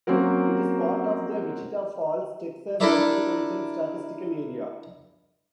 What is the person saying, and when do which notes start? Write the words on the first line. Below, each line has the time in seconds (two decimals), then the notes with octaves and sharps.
It is part of the Wichita Falls, Texas Metropolitan Statistical Area.
0.07 F#3 A#3 C4 C#4 F#4 A#4
2.80 D4 E4 A4 A#4 D5 E5